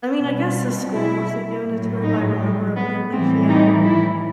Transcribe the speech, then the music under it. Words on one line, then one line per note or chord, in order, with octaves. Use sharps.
I mean, I guess the school must have given it to her, but I remember apparently she had
B2 G3 B3
C4
E4
A2 F#3
D#4
G3
B3
A2 E3 G3 C4
D#4
E4